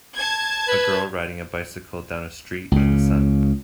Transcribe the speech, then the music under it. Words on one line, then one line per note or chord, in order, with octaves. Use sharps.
A girl riding a bicycle down a street in the sun.
A5 G#6
B4
C#2 C#3